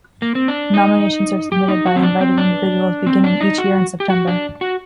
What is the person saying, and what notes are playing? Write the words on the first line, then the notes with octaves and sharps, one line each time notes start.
Nominations are submitted by invited individuals beginning each year in September.
A#3
C4
D4
D#4
G4
D#4
F#4
C4
D4
C4
D4
C4
D4
D#4
F#4
G4
F#4
D4
F#4